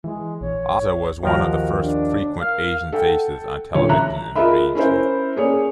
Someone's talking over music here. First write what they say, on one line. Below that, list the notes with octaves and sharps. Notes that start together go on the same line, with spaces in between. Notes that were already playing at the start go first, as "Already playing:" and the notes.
Oza was one of the first frequent Asian faces on television in the region.
E3 G#3
A#1 C#5
D#2 F3 F#4 A#4
D4
A#4 F5
A4 F#5 G5
A1 A#2 D3 C#5
E5 A#5 F#6
F4 G#4 A#4 D#5 E5 B5
C#4 E4 A#4 C5
A#3 C#4 G#4 C#5 D5